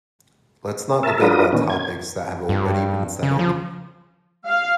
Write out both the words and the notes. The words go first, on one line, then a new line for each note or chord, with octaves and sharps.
Let's not debate about topics that have already been settled.
A#4 E5 A5
F#3 D4 F4 A#4 B4 D#6
A#2 D#3 B3 C#4
G#6
G2
C#3
F3
F5